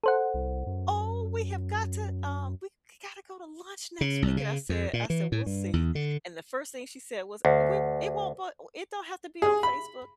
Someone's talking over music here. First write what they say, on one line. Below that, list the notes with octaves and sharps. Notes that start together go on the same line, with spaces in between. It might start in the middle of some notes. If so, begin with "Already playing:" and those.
"Oh, we have got to, um, we g gotta go to lunch next week." And I said I said, "We'll see." And the first thing she said was, "We won't it won't, but it don't have to be on Facebook."
A4 C5 F#5
C2
F#2
C#3
C2
C#3
F2
A#2
E3
A2
G2
E2
D3
D2
G#4
B5